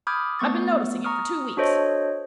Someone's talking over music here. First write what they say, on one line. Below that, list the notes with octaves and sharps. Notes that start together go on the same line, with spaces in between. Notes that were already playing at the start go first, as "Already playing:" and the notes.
I've been noticing it for two weeks.
B5 D6 D#6 F6 G6 G#6
A3 B3 C#6 A6
A#5 C#6 D#6 F6
D4 F#4 A4 C5 C#5 D#5